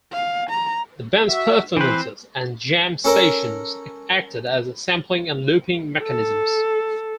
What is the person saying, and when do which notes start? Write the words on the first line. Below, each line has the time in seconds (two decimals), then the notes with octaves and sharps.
The band's performances and jam sessions acted as sampling and looping mechanisms.
0.13 F5
0.50 A#5
1.28 F#4 E5
1.77 E3 C4 B4 C5
3.05 C#4 A4 A#4
6.02 A4